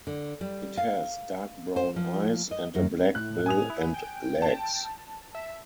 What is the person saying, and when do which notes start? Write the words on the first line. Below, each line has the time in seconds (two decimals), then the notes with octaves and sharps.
It has dark brown eyes and a black bill and legs.
0.07 D3
0.41 G3
0.77 F5
1.76 C5
1.96 F3
2.51 D#5
2.75 F#2
3.15 A2 F#6
3.46 G#5 D#6 F7
3.70 E4
3.94 G5
4.42 A5
5.35 E5